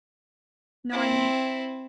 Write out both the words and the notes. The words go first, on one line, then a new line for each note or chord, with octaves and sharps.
No, I mean
C4 E4